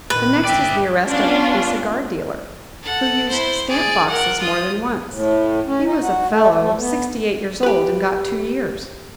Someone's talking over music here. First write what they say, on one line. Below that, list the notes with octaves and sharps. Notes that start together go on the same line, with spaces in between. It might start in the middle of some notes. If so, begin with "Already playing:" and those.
The next is the arrest of a cigar dealer, who used stamped boxes more than once. He was a fellow sixty-eight years old and got two years.
A#1 D#3 B4
G1 D5 E5 G5
B3 C#4 D4 F4
A4 F#5
E4 C5
G#4 D5
A#4 F#5
F4 D#6
A2
C#4
D#4
F#4
A3
A3
B3
G4 B4